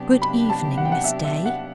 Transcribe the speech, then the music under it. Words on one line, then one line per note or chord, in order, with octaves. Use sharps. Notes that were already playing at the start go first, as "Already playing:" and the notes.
"Good-evening, Miss Day."
Already playing: C3 F#3 B3 D4 G4
B5
A5
F#5
G5
F#5
E5
E5
F#5